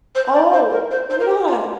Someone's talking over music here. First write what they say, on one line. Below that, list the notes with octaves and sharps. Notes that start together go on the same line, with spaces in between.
Oh! Why not?
C5
D5
C5
A#4
C5
C5
A#4
G4
F4